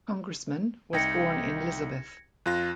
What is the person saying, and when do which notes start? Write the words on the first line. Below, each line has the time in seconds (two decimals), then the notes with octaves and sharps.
Congressman, was born in Elizabeth.
0.93 C2 D#4 G5 G#6 A#6 C#7
2.46 F2 F4 F#6 A#6